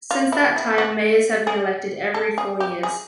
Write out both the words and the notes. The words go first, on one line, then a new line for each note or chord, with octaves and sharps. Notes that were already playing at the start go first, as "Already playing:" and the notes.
Since that time mayors have been elected every four years.
F4
E4
E4
F#4
G#4
A4
G#4
G4
G#4